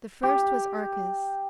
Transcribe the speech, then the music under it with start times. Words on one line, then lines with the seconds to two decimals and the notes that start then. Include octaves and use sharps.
The first was Arcas.
0.23 G4